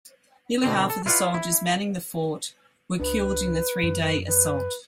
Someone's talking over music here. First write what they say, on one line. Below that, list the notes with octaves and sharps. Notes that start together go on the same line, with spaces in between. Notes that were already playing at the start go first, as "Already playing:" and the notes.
Nearly half of the soldiers manning the fort were killed in the three-day assault.
B2 D3 C4
A4
E4 F4 B4 D5 F5 F#5
E4
C#2 D4 B4
F#2
B4